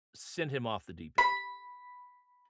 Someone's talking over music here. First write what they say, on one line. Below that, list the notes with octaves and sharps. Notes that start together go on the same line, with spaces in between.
sent him off the deep end.
B5